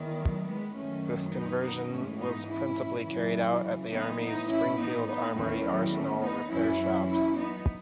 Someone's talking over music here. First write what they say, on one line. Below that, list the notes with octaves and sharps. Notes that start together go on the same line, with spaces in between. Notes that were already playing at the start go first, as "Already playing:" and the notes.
This conversion was principally carried out at the Army's Springfield Armory arsenal repair shops.
Already playing: E2 D#3
F#3 A3
G#3 B3
F#2 D#3 A3 C#4
B3 D#4
B3 D#4
G#2 E3 A3 C#4
B3 D#4
C#4 E4
F#2 C#3 E3
B3 D#4
A2 E3 B3 D#4
C#4 E4
B3 D#4
B3 D#4
E2 D#3 A3 C#4
F#3
A3 C#4
B3 D#4
F#2 E3 C#4 E4
C#4 E4
C#4 E4
B3 D#4